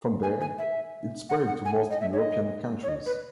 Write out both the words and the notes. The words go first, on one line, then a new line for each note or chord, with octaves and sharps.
From there, it spread to most European countries.
G#5
G#5
E5
F#5
F#5
G#5
D#5
E5
C#5
D#5
C#5
D#5
B4